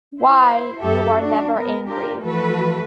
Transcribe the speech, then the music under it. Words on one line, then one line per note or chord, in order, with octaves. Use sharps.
Why, you are never angry!
E4 C5
F#2 F#4 G4 A4 E5
D4 F#4
B3 A#4
D4 F4 G4 A#4
E3 F3 A3 F#4 A4 B4